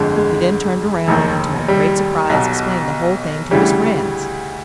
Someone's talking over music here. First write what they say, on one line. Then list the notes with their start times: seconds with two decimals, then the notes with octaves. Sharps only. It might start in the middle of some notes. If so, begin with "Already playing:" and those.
He then turned around, and to my great surprise explained the whole thing to his friends.
Already playing: G1 F2 D3 G#3
0.16 G#3
1.08 F1 D#2 D#3
1.68 G3
2.29 B1 B2
3.51 D2 C#3 E3 G3